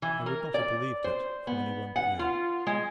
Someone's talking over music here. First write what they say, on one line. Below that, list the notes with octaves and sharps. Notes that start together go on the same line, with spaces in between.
I would not have believed it, from any one but you!
E3
A#4
D5
C5
B3
F#5
F4
G#3